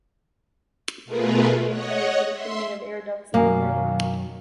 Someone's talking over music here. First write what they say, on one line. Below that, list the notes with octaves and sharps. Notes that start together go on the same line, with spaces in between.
It is mainly intended for the cleaning of the air ducts in the head.
B2 A3 F4 G#4 A#4 B4
C#5 D#5 F#5
E5 C6
F#2 B2 D#3 F#3 A#3 F5 G#5